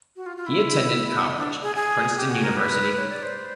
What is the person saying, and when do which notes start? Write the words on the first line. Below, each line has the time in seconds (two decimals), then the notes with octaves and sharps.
He attended college at Princeton University.
0.16 F#4
0.26 F4
0.37 F4
0.46 E4
1.37 D4
1.62 G#4
1.76 G#4
2.17 G4
2.30 F#4
2.42 A#4
2.56 B4
2.97 C#5
3.10 D5
3.23 C5